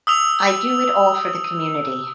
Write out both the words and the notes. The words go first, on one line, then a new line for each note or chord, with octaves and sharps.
I do it all for the community.
D#6 E6 F7